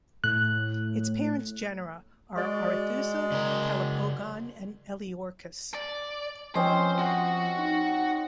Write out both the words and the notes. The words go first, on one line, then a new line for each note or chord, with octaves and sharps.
Its parents' genera are "Arethusa", "Calopogon" and "Eleorchus".
A2 F#6
G#3 F#4 D5
C#3 A#4
D5
F3 C4 C#4 C5 D#5
F#4 F#5 D#6
D#4